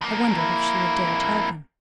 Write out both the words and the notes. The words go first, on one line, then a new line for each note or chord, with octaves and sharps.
I wondered if she would dare tell him.
F2 A#3
E4